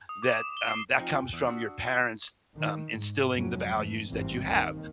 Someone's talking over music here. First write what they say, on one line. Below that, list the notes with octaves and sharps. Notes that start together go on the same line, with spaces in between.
that um, that comes from your parents, um, instilling the values that you have,
D#6
D6
E7
G7
C7
F3 C4 D#4 F4 G5 G#5
E2 D#6 E6
D4 F#4
F4
D#3
G#2
F2 G#2 C3 F#3 C#4
G#2 E3 A3
G#1 E2 G2 E3 G3 C4
D#2 D#3